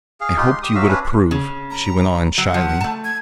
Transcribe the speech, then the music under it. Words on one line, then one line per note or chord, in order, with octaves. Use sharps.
"I hoped you would approve," she went on, shyly.
G#4 F5
G#3 D#4 F4 G4
C6
G4 D#6
F#3 F#4 E5 F5
C#4 D4 B4
C#3
A#5
F#3 F#5
F3
A3 A5
G#6